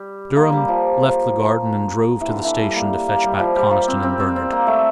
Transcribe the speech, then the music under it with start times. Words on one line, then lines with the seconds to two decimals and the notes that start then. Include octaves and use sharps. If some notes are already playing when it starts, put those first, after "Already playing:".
Durham left the garden and drove to the station to fetch back Conniston and Bernard.
Already playing: G3
0.36 A#3
0.52 G3
0.68 F3
2.21 E3
2.28 D3
2.44 E3
2.60 G3
2.76 A#3
3.08 A#3
3.24 G3
3.39 F3
3.55 G3
3.71 A#3
3.88 C4
4.03 C4
4.20 C4
4.36 C4
4.52 A#3
4.67 A3